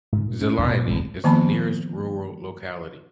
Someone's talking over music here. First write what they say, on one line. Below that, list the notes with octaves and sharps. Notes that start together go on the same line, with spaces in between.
Zelyony is the nearest rural locality.
G#2 C#3
A#2
C#4
D#1 B1 E2 D4
A#2
D1 G2 G#3 C4
D#3 F3 A#3 B3 A5 B5